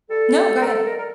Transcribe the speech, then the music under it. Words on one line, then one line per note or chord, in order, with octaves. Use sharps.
No. Go ahead.
G3 A4
A2
G3
A#4
C3 A4
D#3 G3 A#4
A#4